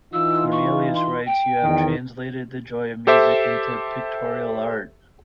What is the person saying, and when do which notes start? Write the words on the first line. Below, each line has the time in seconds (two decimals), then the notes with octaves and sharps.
Cornelius writes, You have translated the joy of music into pictorial art.
0.13 E3 D#4 F4 E6
0.52 C#6
0.95 C6
1.26 G5
1.63 E2 D#3
3.07 G4 A4 C5 E5 D6